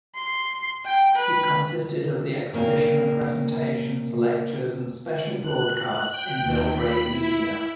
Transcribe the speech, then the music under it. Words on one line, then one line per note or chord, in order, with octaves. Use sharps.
It consisted of the exhibition and presentations, lectures and special broadcasts in Belgrade media.
C6
G5
B4
A#2 C#3 A#3 C4
F#6
G5
D#2
B5
E4